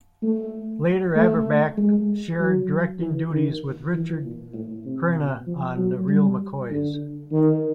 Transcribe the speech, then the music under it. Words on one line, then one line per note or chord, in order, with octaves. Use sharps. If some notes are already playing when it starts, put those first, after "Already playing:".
Later, Averback shared directing duties with Richard Crenna on "The Real McCoys".
A3
A3
G#3
F#3
E3
D#3
E3
A#2
A2
C3
B2
F3
F#3
G3
D3
D#3